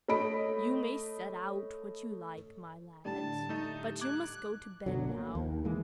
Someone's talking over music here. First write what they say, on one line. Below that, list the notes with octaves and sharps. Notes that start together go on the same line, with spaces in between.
"You may set out what you like, my lad, but you must go to bed now."
A3 C#5 D#5 B5 D7
A2 D3 G3 A5
A3 D#4
D6 F#6 G#6
G1 B2 D3 F#3
A#3
D#2
E3 G#3 A#3